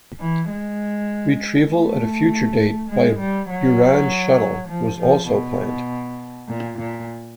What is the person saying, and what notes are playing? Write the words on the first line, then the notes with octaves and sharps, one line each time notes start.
Retrieval at a future date by a Buran shuttle was also planned.
E3
G#3
A3
G#3
G3
F#3
F3
F3
B2
A#2
A#2